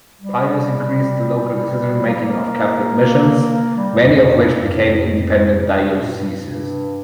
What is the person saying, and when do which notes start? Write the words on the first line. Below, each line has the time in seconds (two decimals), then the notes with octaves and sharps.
Pius increased the local decision-making of Catholic missions, many of which became independent dioceses.
0.21 G3
2.06 A#3
2.14 G3
2.21 A#3
3.76 G3
4.05 F2
4.13 G2
4.21 F2
4.34 G2
4.64 F2
6.02 A#2
6.13 G2